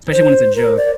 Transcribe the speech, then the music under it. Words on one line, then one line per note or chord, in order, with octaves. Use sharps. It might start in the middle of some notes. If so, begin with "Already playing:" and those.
especially when it's a joke.
C5
A#4
D5